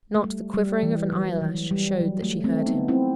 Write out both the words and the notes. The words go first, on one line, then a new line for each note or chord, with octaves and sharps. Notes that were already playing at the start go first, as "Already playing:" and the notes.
Not the quivering of an eyelash showed that she heard him.
A3
G3
G3
E3
F#3
E3
G3
F#3
A3
A3 C4
B3 D#4
C4 E4